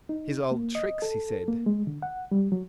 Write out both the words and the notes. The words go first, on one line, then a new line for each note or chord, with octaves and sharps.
"His old tricks," he said.
D#4
A#3
D#5
A4
A#3
G#3
D3
F#5
G3
F#3